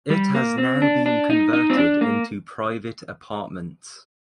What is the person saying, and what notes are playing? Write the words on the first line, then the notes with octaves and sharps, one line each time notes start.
It has now been converted into private apartments.
G3
A#3
C4
D4
D4
D#4
D#4
C4
D4
A#3